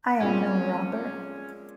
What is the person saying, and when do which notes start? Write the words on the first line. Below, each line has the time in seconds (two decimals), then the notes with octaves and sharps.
I am no robber.
0.20 A#2 G#3 C4 C#4